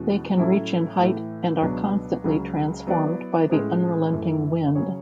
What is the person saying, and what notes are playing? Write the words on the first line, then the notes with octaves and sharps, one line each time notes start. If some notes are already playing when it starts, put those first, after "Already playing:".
They can reach in height and are constantly transformed by the unrelenting wind.
Already playing: E2 B2 G#3 C#4 F#4
A2 F#3 C#4 E4 A4
A2 E3 A3
C#2 B2 F#3 B3 D4
C#2 C#3 F#3
F#3 B3 E4 B4 D5
A2 G#3 C#4 G#4 B4
F#2 E3 A3
C#3 F#3 C#4 G#4 C#5